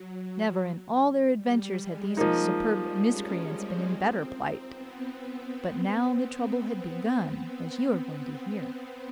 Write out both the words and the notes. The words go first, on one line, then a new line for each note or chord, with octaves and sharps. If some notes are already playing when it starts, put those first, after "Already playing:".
Never in all their adventures had these superb miscreants been in better plight; but now the trouble had begun, as you are going to hear.
Already playing: F#3
G3
G#3
F3 G#3 A#3 D#4
G3
C#4
C4
B3